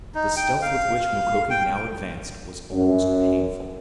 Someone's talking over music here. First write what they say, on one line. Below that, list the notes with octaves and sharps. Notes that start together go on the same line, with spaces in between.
The stealth with which Mukoki now advanced was almost painful.
D#4
G5
F5
G5
F#2